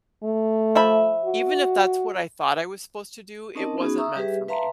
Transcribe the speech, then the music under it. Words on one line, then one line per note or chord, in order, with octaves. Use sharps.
even if that's what I thought I was supposed to do, it wasn't meant for me.
A3
F3 E5 B5
F#4
C4 C#4 D#4 A#4 D#5 A5
B3 C#4 D#4 F#4 G#4
E5 A#5 C#6 D#6 E6
G3 G4 G#4 B4 E5
B4 E5 F5 A5 A#5 C6